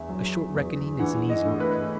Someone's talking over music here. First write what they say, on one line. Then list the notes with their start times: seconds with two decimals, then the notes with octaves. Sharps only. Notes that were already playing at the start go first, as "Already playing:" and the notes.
A short reckoning is an easy reckoning.
Already playing: E2 E5
0.09 F#3
0.54 E2
0.99 E3 F#5
1.30 D#5
1.45 A2
1.60 B4